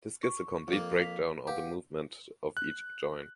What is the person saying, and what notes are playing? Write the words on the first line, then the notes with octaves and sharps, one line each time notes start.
This gives a complete breakdown of the movement of each joint.
C#6
F2 A#3
B6 F7
G4 B4 F5 F#5
F#6